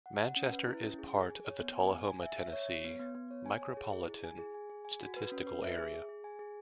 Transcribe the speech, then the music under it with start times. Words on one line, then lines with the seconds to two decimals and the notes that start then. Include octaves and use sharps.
Manchester is part of the Tullahoma, Tennessee Micropolitan Statistical Area.
0.06 F#5
0.21 F#5
0.36 C#4
0.52 B4
0.67 E4
0.83 C#4
0.99 G#4
1.14 G#4
1.30 G#5
1.45 C#5
1.60 B3
1.76 G#5
1.91 G#5
2.06 G#5
2.22 E5
2.38 E5
2.53 C#5
2.69 C#5
2.85 B3
2.99 B3
3.15 B3
3.31 C#5
3.46 G#5
3.62 C#5
3.77 G#4
3.92 G#4
4.08 E4
4.24 G#5
4.39 G#4
4.54 G#5
4.70 G#4
4.85 G#5
5.01 F#4
5.16 B4
5.32 C#4
5.47 B4
5.63 E5
5.78 G#4
5.94 G#4
6.09 G#4
6.24 G#5
6.39 G#4